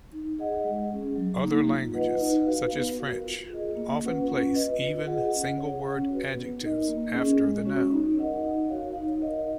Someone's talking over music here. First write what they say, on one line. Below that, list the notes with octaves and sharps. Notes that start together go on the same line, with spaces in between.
Other languages, such as French, often place even single-word adjectives after the noun.
D#4
G#4 D#5 F#5
G#3
C#4 G#4
F#3
A#3 D#4
F4
B4 D#5 F#5
D#4
F#4 B4 F5
B3
F#4 A#4
F4
G#4 D#5
A#3
C#4 F4 B4 F#5
C#4
F4 B4 D#5
F4
G#4 D#5 F#5
C#4
G#4 C#5 F#5
C#4
F#4 B4
B3
D#4 A#4 D#5
A#3
C#4 G#4 D#5
G#3
C#4 F#4 C#5
D#4
A#4 D#5 F#5
D#4
F#4 C#5 F5
D#4
A#4 D#5 F#5